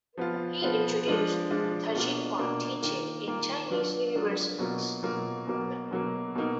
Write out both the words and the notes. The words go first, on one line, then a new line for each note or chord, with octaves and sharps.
He introduced Taijiquan teaching in Chinese universities.
F3 B3 F4
F3 B3 F4
F3 G#3 D4 F4
F3 G#3 D4 F4
B2 A#3 D4 F4
B2 A#3 D4 F4
D#3 A#3 F4
D#3 A#3 F4
F#3 D4 F4
F#3 D4 F4
B2 F#3 A#3 F4
B2 F#3 A#3 F4
B2 F#3 A#3
B2 F#3 A#3
B2 A#3 D#4